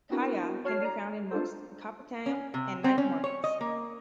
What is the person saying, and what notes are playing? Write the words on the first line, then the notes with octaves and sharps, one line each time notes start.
Kaya can be found in most kopitiam and night markets.
B3 C4 D4 E4 F#4 A#4
F#4 C#5 A5 F6 C7
D5 A#5
D4 F4 A4 C5
C#4
C3
C4
C#4
C#5
D#5
A#3